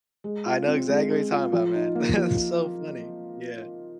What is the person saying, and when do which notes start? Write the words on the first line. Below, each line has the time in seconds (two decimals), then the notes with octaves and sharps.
I know exactly what you talking about, man. That's so funny. Yeah.
0.24 G#3
0.46 F4
0.67 C4
0.89 G#3
1.10 G#3
1.31 F4
1.53 F3
1.74 D#4
1.95 A#3
2.17 F3